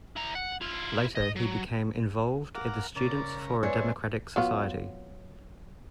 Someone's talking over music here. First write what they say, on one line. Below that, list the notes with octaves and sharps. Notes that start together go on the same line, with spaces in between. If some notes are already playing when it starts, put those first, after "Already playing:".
Later he became involved in the Students for a Democratic Society.
E4 A#5
F#5
E4 F4
D#5
F#3
A#4 F5 F#5 D6
C#3 A#4 D5
G#3 C4 D4 E4 B4 C#5 D5 G#5
F#3 B3 F4